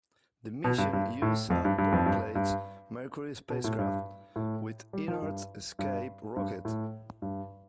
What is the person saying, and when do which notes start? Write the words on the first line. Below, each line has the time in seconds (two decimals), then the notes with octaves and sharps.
The mission used a boilerplate Mercury spacecraft, with inert escape rocket.
0.64 B2
0.78 G2
0.93 G2
1.22 A2
1.50 F2
1.65 G2
1.78 G2
1.92 F2
2.06 G2
2.35 G2
3.50 B2
3.64 A2
3.79 G2
4.36 A2
4.93 G3
5.08 F3
5.22 G2
5.79 G2
6.36 G2
6.65 A2
7.22 G2